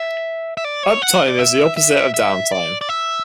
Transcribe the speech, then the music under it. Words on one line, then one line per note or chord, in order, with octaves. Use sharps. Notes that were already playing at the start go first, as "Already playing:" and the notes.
Uptime is the opposite of downtime.
Already playing: E5
E5
D5
C#5
F#5
D5
E5
E5
E5
D5
D5
E5